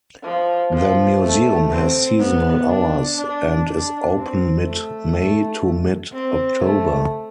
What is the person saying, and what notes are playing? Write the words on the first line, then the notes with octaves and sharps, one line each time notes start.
The museum has seasonal hours and is open mid-May to mid-October.
F3
F3
A3
C4
B3
D4
D4
D4
C4
A3
C4
A3